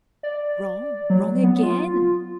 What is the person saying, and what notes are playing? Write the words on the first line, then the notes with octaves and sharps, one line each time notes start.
'Wrong, wrong again.
D5
F#3
B3
F4